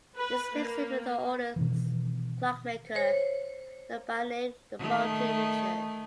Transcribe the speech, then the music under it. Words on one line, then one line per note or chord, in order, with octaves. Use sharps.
This makes him the oldest clockmaker known by name in the Baltic region.
B4
A#3
B2 D#3 E3
C5 C#5
D#3 A3